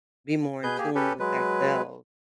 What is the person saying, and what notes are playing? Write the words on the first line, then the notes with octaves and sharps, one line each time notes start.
be more in tune with ourself,
B2 G#4 B4 G6
A#3 G4 G#4
C#4 G4 A4 B4
F#3 G#3 B4